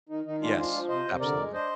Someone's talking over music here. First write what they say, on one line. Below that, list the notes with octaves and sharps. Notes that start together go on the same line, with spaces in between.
Yes, absolutely.
D#3 D#4
D#3 D#4
G#3 D4 F4
F3 D4 F4
F3
C3 C5 D#5
C3
D3 A#4 D5
G#3
D4 C5 D#5